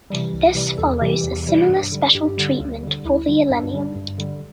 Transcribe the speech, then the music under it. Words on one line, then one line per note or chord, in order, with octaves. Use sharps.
This follows a similar special treatment for The Elenium.
C3 E3 G3
C2
C3 E3 G3
E2 A4
C3 E3 G3 G4
E2
C3 E3 G3
G2
D3 G3
G2 G4
D3 G3
D2
D3 G3
D2 E4
D3 G3
G2 D4
D3 G3
G2
D3 G3